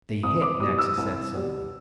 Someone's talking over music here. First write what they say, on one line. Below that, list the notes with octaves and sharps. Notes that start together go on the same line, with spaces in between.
"They hit!" Naxa said suddenly.
C2 D#6
D6
B2 G3 D#6
E6
C2
B2 G3